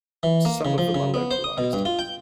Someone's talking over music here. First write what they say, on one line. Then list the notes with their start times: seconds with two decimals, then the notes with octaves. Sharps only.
Some of them are localized.
0.23 E3
0.45 A#3
0.65 C#3
0.78 F3
0.94 C#3
1.14 B3
1.31 C5
1.44 D#6
1.58 B2
1.73 G2
1.85 F4
1.99 G5